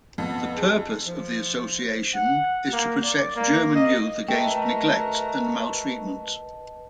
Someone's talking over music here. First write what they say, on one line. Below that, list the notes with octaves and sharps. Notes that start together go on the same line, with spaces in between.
The purpose of the association is to protect German youth against neglect and maltreatment.
F2 B3
G#4
F3
F#5
A#3
D5
A#3
D#5
A3 F#4 A#4 B4 D#5 E5 G5 A5